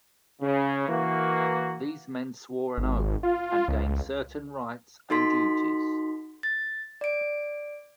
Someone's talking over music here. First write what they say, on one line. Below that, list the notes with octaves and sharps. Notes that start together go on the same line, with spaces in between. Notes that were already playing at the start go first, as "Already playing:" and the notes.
These men swore an oath and gained certain rights and duties.
C#3
E3 A#3 F#4
G#1
F4
C#2
D#4 F#4 A4 C6 B6
A6
D5 D7